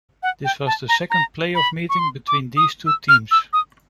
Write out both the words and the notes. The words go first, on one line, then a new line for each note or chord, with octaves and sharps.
This was the second playoff meeting between these two teams.
F#5
G5
A5
A#5
A#5
B5
C#6
C6
D6
D#6
E6
F6
E6
D#6